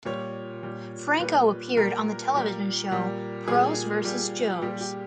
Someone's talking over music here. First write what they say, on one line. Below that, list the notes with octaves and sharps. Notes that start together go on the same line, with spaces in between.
Franco appeared on the television show "Pros versus Joes".
A#2 G3 C#5
A#2 G3
A#2 G3 B4
A#2 G3 A#4
A#2 G3
A#2 G3
A#2 G3 G#4
A#2 G3
A#2 G3 G4
G4